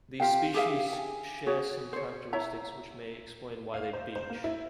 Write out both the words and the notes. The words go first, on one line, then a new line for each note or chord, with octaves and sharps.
These species share some characteristics which may explain why they beach.
F4 G4 F5 G5
G4 G#4 E5 F5
G#5
F#4 G#4 C#5
C5 C#5
E4 C#5 E5 A#5
F5
C5
C5
A#3
E4